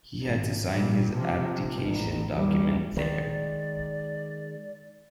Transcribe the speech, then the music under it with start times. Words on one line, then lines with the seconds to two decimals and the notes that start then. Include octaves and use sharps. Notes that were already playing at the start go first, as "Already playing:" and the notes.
He had to sign his abdication document there.
0.23 G#1
0.71 A#2 G3
1.14 C3 F3
1.83 A1
2.34 E2 G3
2.97 D#3 G#3 D5